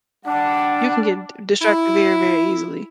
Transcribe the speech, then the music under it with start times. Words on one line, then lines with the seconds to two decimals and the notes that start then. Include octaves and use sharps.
you can get d distracted very, very easily.
0.25 G3 D4 F#5
1.62 E4